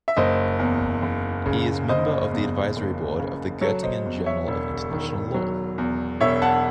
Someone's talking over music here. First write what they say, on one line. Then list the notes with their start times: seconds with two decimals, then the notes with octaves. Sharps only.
He is member of the advisory board of the Goettingen Journal of International Law.
0.08 E5
0.17 F#1 C5 D#5
0.59 E2
1.02 F#1
1.46 C#3
1.89 F#1 C5 D#5
2.32 E2
2.76 F#1
3.19 C#3
3.61 F#3 A4 C#5
3.83 C5 D#5
4.05 E2
4.26 C#5 E5
4.48 E1
4.91 D#3
5.34 F#3
5.78 E2
6.21 E1 C#5 E5
6.42 F#5 A5